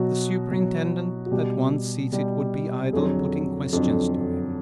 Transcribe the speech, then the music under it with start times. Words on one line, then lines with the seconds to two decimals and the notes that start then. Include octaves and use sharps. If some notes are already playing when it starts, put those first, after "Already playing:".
The superintendent at once sees it would be idle putting questions to him.
Already playing: B2 F#3 F#4
0.51 B2 F#3
1.26 F#4
1.32 B2 G3 G4
2.12 B2 G3
2.93 F2 D3 F#3 G#4
3.73 F2 D3 F#3